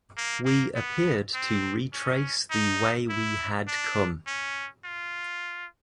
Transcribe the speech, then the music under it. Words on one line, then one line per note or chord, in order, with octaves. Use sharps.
We appeared to retrace the way we had come.
A#3
A#3
B3
C4
C#4
D#4
E4
D4
C#4
F4